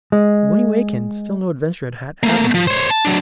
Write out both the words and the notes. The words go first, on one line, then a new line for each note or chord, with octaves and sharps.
But when he awakened still no adventure had happened to him.
G#3
A3 A#3
F3
C5 C#5
A5
F#3 D4